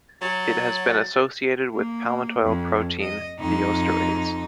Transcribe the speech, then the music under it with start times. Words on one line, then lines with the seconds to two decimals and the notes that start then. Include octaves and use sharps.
It has been associated with palmitoyl-protein thioesterase.
0.21 F#3 A6
1.75 A#3
2.43 F2
3.01 D#5
3.40 F2 D#4